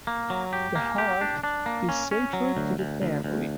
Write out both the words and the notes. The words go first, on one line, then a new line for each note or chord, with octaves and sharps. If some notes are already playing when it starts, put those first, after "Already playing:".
The hearth is sacred to the family.
A#3
F#3
G4
A#3
G4
D4
D4
A#3
C#4
C#4
F#3
D2
D2
D2
D2